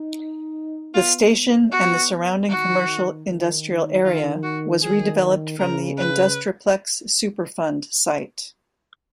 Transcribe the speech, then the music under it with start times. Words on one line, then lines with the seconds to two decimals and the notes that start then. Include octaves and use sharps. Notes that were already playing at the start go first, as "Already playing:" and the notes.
The station and the surrounding commercial-industrial area was redeveloped from the Industri-Plex Superfund site.
Already playing: D#4
0.94 B3 F4
1.72 F#4
2.49 D#3 F#4
3.27 D#3
4.04 D#3 F4
4.43 F#4
4.82 D#3 G#4
5.59 C#3 A#4
5.98 B4